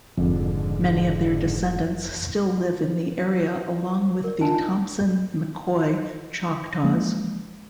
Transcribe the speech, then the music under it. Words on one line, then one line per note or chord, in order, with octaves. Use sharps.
Many of their descendants still live in the area along with the Thompson-McCoy Choctaws.
F1 F2 G#2 D3
A#4 D5
D4 D#4 F4 G#5 A5
E3 F3 G#3 A#3